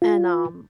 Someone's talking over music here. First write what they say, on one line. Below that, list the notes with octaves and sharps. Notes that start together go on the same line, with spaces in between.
And, um,
F4